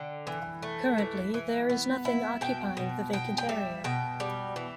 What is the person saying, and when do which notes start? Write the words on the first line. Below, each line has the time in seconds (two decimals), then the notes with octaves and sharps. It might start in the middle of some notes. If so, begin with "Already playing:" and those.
Currently, there is nothing occupying the vacant area.
Already playing: D3 G5
0.27 E3
0.63 A3
0.98 E3
1.34 E3
1.70 B3
2.05 E4
2.41 B2 G5
2.77 B2
3.13 B2 G5
3.38 G5
3.49 G3 E5
3.84 B2 G5
4.20 G3
4.56 E3